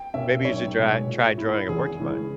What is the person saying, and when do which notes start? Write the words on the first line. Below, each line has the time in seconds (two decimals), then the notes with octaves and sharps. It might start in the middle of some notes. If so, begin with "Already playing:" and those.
Maybe you should dry try drawing a porcupine,
Already playing: G5
0.14 B2 A#3 C#4 E5
0.45 B1 C#5
0.77 B2 G#3
1.06 A#2
1.38 A#3 E4
1.69 E2 G#4
1.99 C#3 E3 G#3 C#4